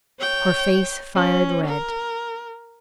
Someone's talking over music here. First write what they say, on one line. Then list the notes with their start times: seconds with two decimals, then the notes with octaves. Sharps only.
Her face fired red.
0.20 C#5 G5
1.16 C#4
1.67 A#4